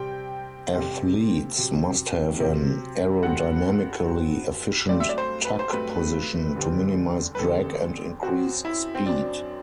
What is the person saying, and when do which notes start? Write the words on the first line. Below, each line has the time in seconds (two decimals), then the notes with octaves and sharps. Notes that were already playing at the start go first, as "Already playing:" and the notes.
Athletes must have an aerodynamically efficient tuck position to minimize drag and increase speed.
Already playing: C3 G3 C4 G5
0.73 C3 G3 C4
1.56 C3 F#3 C4
2.40 C3 F#3 C4
3.23 G2 F#3 C4 F#5
4.06 G2 F#3 C4
4.89 G2 F#3 A3 C4 D5
5.00 E5
5.09 D5
5.18 C5
5.45 B4
5.59 C5
5.73 G2 F#3 A3 C4 B4
6.56 E2 D3 G3 C4
7.35 B4
7.39 E2 D3 G3 C4 A4
8.23 F#2 F#3 C4 F#4
8.65 E4
8.95 C4
9.06 F#2 F#3 C4 D4